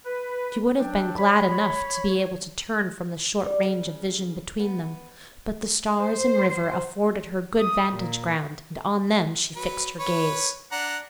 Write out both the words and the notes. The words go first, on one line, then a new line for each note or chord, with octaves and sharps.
She would have been glad enough to be able to turn from the short range of vision between them; but the stars and river afforded her good vantage-ground, and on them she fixed her gaze.
B4
F#3 D4 G5
C#5 B5
G3
C#3
B3
C5
D#6
A#2
F#3 B4
B4 C#5
D4 F#5 A#5